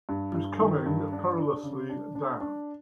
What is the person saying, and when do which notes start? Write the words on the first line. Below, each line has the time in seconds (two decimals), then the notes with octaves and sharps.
She was coming perilously down.
0.09 G2
0.34 G2
0.60 D#3
0.86 G2
1.12 D4
1.38 D4
1.63 C#3
1.90 D4
2.15 D4
2.40 D4